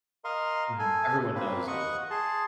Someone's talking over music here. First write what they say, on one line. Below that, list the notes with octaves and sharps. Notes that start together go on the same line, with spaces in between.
Mhm, everyone knows it.
A#4 D#5 F5 C6
A4 G#5
A#3 C4 B4
D#5 F#5 C#6
G#4 A5 C6